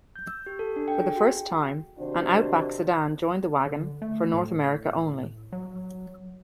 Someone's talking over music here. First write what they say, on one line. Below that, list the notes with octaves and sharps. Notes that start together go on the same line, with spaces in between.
For the first time, an Outback sedan joined the wagon for North America only.
G6
E6
G4
A4
D4
G5
G#4
F#4
C3 D#3 D4 F#4 C5
D3
A3
A2
F#3